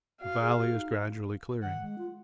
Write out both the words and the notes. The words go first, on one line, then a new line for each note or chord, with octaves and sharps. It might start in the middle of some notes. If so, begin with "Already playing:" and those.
The valley is gradually clearing.
F#4 F5
G#4
F#4
D#4
D#3 F#5
G#3
F4